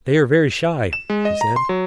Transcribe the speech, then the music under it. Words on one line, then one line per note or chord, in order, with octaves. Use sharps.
"They are very shy," he said.
E7
G#3
D#5
A#5
C6
F#3